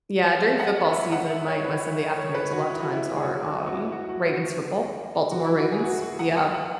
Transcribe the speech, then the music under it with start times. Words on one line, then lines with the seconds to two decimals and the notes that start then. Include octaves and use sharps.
Yeah, during football season, my my Sunday afternoons a lot of times are um, Ravens football, Baltimore Ravens, yeah,
0.25 F#5
0.42 E5
0.55 E5
0.60 F#5
0.77 C#5
0.87 E5
1.12 F#5
1.30 E5
1.47 C#5
1.64 B4
2.17 C#5
2.35 B4
2.53 F#4
2.70 E4
2.82 F#4
2.93 E4
3.16 G#4
3.23 F#4
3.66 F#4
3.75 E4
3.92 F#4
4.09 F#4
4.22 E4
4.27 F#4
5.31 F#4
5.45 E4
5.58 F#4
5.71 G#4
5.84 F#4
6.02 F#4
6.19 F#5
6.37 F#5
6.54 F#5